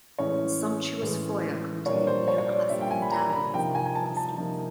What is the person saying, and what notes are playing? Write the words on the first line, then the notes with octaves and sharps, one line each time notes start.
The sumptuous foyer contained neoclassic medallions and pilasters.
A2 E3 G#3 C#4 C#5
A2 E3 G#3 C#4
A#2 G3 A#3 D4 C#5
C5
C#5
C#5
D5
A#2 G3 A#3 D4 E5
G5
G#5
B5
A#5
B5
C3 F3 A#3 D#4 G5
G#5
G#5
A5
A5
C3 F3 A#3 D#4